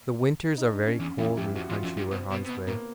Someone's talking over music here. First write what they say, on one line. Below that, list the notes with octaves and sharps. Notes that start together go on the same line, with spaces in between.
The winters are very cold in the country where Hans lived.
D#4
D4
C#4
E2 C#4
E2 E4
F2 G4
F2 F#4
E2 F4
F2 C#4
G2 C#4
B2 C4
B2 B3
C3
B2 B3
A2 A#3